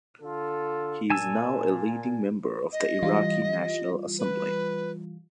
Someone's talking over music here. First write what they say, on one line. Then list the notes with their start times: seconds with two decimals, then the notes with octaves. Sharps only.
He is now a leading member of the Iraqi National Assembly.
0.21 D3 F4 A4
1.10 A#2 G#5 A5 E6
2.73 D#5
3.03 E3 G3 F4
4.19 B4